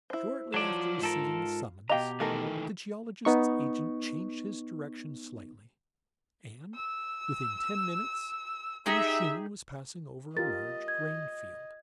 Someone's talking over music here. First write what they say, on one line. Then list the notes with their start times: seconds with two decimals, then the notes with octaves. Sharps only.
Shortly after receiving the summons, the geologist's agent changed his direction slightly; and within ten minutes the machine was passing over a large grain field.
0.10 E4 C5
0.54 F#3 F4 D5 A5
1.01 G#2 A4 A#4
1.90 B2 G4 D#5 F5 G5 A#5
2.20 D#3 E3 A3 A4 A#4
3.25 B3 D#4 C#6
6.75 E6
8.86 D#4 G4 G#4 E5
10.37 F4 G4 A#4 D#5 A6
10.88 G#6